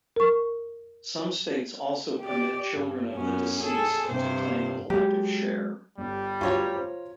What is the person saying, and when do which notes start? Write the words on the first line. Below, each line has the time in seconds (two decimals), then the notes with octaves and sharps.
Some states also permit children of the deceased to claim an elective share.
0.16 A#4 C#6
2.20 G4 D5
2.75 G2
3.13 F#2 B3 C#4
3.59 G#4 A4
4.08 G2 C3 C5
4.90 F#3 G#3 G4
5.98 G1 G3
6.41 D2 G2 F#3 F4 C#5 A#5
6.75 C5 F5